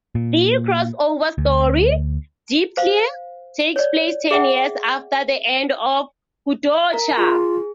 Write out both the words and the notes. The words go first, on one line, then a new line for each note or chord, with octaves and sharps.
The crossover story, "Deep Clear", takes place ten years after the end of "Kodocha".
A#2
D2
C5 F5
C#5 D5
G#4 E5 F#5 G5
A#4 A#5
F4 G#4